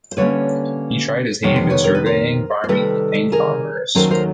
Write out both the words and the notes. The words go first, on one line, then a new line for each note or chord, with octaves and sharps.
He tried his hand at surveying, farming and commerce.
C5
D3 G3 A#3 C#4 B4 C#5
F2 C3 D#3 G3 B3 C#5
C5
B4 C#5
A#4
B4
A#4 C5
C5
C3 D#3 G3 A4 B4
G#4 A#4
D#2 D#3 F#3 A3 C#4 A#4 C5
A#4 C5